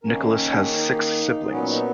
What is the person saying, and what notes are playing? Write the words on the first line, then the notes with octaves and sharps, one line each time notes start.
Nicholas has six siblings.
D#3 A#3 C#4 A#4
G#4
C#4
D#4
A#2 F#3 B3 C#4
D#4